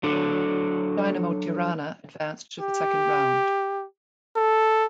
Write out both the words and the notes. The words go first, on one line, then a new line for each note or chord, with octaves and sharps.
Dinamo Tirana advanced to the second round.
F#3 D4 A4
G4
A4